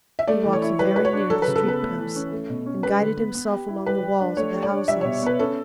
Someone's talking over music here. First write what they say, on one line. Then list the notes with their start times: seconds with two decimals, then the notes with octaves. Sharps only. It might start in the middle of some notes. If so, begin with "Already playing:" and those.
He walked very near the street-posts, and guided himself along the walls of the houses.
0.19 E5
0.28 A3 D5
0.45 E3
0.53 C#5
0.62 E4
0.79 G3 B4
0.96 F#4 B4
1.05 C#5
1.13 D4
1.30 F#3 A4
1.42 B4
1.47 C#3
1.56 A4
1.63 B3
1.68 B4
1.81 A3
1.98 E3
2.15 C#4
2.32 A3
2.49 B2
2.66 C#4
2.83 G3 B4
3.00 D3
3.17 B3
3.35 B3
3.52 G4
3.68 E4
3.86 G3 B4
4.03 G4
4.19 D4
4.37 A3 C#5
4.54 G4
4.63 D5
4.71 D4
4.88 G3 E5
5.01 B2 C#5
5.22 B3 B4
5.39 C#4 A4